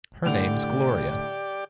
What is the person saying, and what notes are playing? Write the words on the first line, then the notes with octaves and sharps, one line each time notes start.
Her name's Gloria.
A2 D3 G4 D5 F7